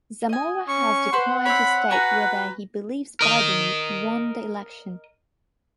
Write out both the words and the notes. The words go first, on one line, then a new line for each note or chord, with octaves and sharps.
Zamora has declined to state whether he believes Biden won the election.
D#5 G#5
C#4 C#6
B4 C5 F#5 C6
C4 C#5 B5
F#4 B4 G#5 A#5
A#4 D#5